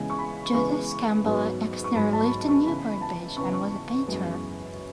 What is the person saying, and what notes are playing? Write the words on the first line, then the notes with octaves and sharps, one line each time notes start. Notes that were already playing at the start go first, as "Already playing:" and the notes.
Judith Campbell Exner lived in Newport Beach and was a painter.
Already playing: C#3 E3 G#3 B3 G#5
C#6
B5
C#3 E3 G#3 B3 C#6
G#2 F#3 B3
C#6
G#2 F#3 B3 B5
A5
B5
C#6
C#3 E3 B3 B5
A5
C#3 E3 B3 C#6
C#6
F#2 E3 G#3 B3